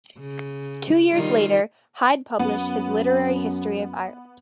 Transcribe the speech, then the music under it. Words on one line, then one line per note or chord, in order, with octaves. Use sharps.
Two years later Hyde published his "Literary history of Ireland".
C#3
D#3 G3 F4
F#2 B3